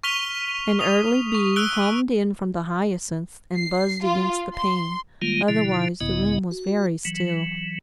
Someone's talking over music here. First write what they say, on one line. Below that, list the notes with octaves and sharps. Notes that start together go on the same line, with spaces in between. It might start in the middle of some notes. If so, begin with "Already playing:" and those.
An early bee hummed in from the hyacinths and buzzed against the pane. Otherwise the room was very still.
C#6 F6 B6 D#7 F7 G7
D#6 F7
C#6
E6 F#6 D7 G7
C7
F4
C6
D#3 G3 G#3 A#3 F4
B2 D3 F3 E4
B1 G#2 C#3 B3 E4 D#5
F#4
E3 F#3